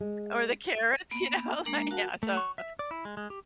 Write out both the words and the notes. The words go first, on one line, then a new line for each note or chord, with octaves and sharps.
or the carrots, you know, like, yeah, so
G#3
A#3 B3 B5
G#3 A#3 D4 A#4 A#5
F#4 A#4 F5 F#5 A5
A3
C#6
E5
D5
E4
G#3
G#3
G4